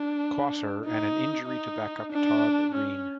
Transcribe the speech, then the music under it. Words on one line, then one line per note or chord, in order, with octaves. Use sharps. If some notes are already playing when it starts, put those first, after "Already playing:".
Closser and an injury to backup Todd Greene.
Already playing: D4
D#4
D#4
D4
C#4